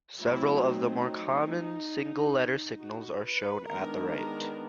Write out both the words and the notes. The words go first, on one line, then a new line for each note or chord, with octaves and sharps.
Several of the more common single-letter signals are shown at the right.
F#3 A3 C4 E4
D#4
F#4
B4
D#3 G#3 B3 D4 A#4
A#4